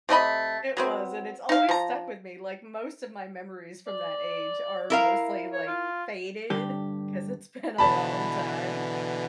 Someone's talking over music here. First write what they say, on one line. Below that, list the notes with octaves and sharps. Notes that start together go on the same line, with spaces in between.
It was and it's always stuck with me, like most of my memories from that age are mostly like faded, 'cause it's been a long time.
C3 A3 D#5 B5
F#3 B3 C4
D#4 F5
F3 A#5
D5
E4 A#4 F5
C#5
F4
G2 D3 G4
B2 D3 E3 A5 B5